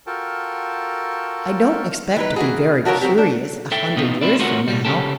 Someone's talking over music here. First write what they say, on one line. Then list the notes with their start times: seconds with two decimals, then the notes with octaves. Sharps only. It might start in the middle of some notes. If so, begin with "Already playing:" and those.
"I don't expect to be very curious, a hundred years from now."
0.07 F4 F#4 A4 A#4 G5 A5
2.16 E3 D#4 B4
2.36 E3 A#3 F#4 G#4
2.85 F3 F#4 A4 A#4 C#5
3.01 F#3 B3 C4 G4
3.18 D4
3.72 A4 E5 G5
3.96 B2 B3 D#4 F4
4.21 C4 E4 D5
4.39 A3 F4 F#4 A#4 C#5 F#5
4.68 B2 G3
4.85 C#3 C#4 G4 A4